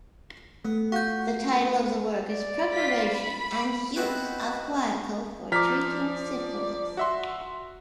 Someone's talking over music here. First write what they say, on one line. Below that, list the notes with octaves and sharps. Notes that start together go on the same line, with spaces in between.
The title of the work is Preparation and Use of Guayaco for Treating Syphilis.
A3 B3
F4 F#4 F#5 G6
D5
F4 B6
B5
B3 C4 D#4 E4 F#4 B4
F3 D5 A#5 D6 F6 B6
F#4 E5 C6